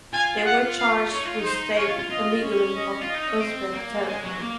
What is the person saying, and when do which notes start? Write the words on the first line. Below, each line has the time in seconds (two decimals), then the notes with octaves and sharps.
They were charged with staying illegally on Uzbek territory.
0.13 F4 G#5
0.45 F#5
0.79 F5
1.12 D#4 C#5
1.25 F4
1.39 D#4
1.45 C5
1.77 F4 C#5
1.88 F4
1.99 F4
2.10 F4 D#5
2.42 C#4
2.76 D#5
3.01 F4
3.09 D#5
3.15 D#4
3.27 C#4
3.41 C4
3.74 A#3
4.07 G#3 G#5
4.23 F#3
4.39 A#3